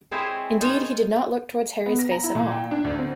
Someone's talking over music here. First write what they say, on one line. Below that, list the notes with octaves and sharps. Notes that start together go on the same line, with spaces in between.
Indeed, he did not look towards Harry's face at all.
G#3 C4 E4 G#4 C5 C#5
D#4 F4 C5 C#5 D#5
B3
A#6
A#5
E4
A#2
G5
D4
D2
C4